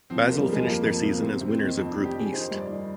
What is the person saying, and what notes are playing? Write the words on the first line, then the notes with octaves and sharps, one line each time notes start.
Basel finished their season as winners of group East.
F3 C4
D#2 A#3
G3
F3 G#3
F2 A#3
F2
C3
A#3
C3 C4
C3
C4
D#3
F2 C4
F2 D4
G4
F2 G#4
D#3 C5
G2
D5
D#3